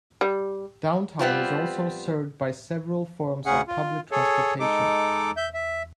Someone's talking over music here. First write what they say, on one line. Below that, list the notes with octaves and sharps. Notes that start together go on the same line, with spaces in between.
Downtown is also served by several forms of public transportation.
G3
G3 B3 C4 F4
D2 C#3 C#4 G#4 F#5
F4
G#4 A4 C#5
G#3 D#4 A4 D6
E5 G6
E5